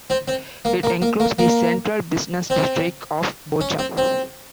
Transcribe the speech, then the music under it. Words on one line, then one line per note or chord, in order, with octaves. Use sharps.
It includes the central business district of Bochum.
C4
C4
A#3
A#3
A#3
A#3
A#3
C4
C#4
C4
C4